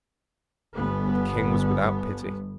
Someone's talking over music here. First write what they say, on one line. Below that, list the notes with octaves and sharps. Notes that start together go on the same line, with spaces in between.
But the King was without pity.
G1 B3